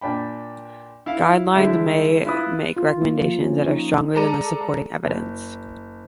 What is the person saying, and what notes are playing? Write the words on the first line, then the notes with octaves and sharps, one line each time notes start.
Guidelines may make recommendations that are stronger than the supporting evidence.
A#2 D4 G5 B5
E4 F5
D3 G3 G#3 E4 E5
E4 F4 B4 E5 B5 D#6
F4
A#3
F3
C#4
D#4
G#3 A4 D5 A#5 D#7
F#1